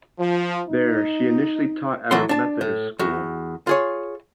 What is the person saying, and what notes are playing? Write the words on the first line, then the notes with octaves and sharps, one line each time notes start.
There, she initially taught at a Methodist school.
F3
D#4
E3 F#3 A4 F#5 C6
D4 A5
A2
E2 F#4
F4 G#4 C#5